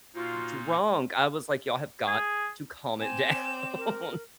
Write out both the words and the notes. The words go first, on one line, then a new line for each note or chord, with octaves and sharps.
drunk, I was like, "Y'all have got to calm it down."
A#2 A#3 D#4 F4 F#4 C5 C6
G#4
C4 G#5 D6 E7
A#4